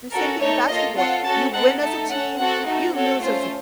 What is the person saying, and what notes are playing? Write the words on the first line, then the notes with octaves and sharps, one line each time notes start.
The same thing in basketball, you win as a team, you lose as a
C#4 F#4 A4 A#4
A3 D#4 A4 C#5
A#3 F4 A4 D#5
C4 F4 A4 F#5
C#4 F#4 A4 A5
C4 D#4 A4 F#5
A3 D#4 A4 A5
C#4 A4 F#5
C4 F#4 A4 F#5
A3 D#4 F#4 A4
C4 F#4 A4 C#5
A3 C#4 F4 C5